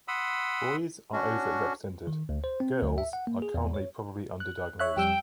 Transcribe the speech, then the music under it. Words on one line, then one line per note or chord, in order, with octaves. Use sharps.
Boys are overrepresented; girls are currently probably underdiagnosed.
F#5 B5 C6 D#6 E6
C#4 D4 F#4
D#3
D2
C5
C4
D2
E5
F#5
A#3
G#4
E2
C#5
F#6
C#5 E5 F#6
F2 G3 G5 E6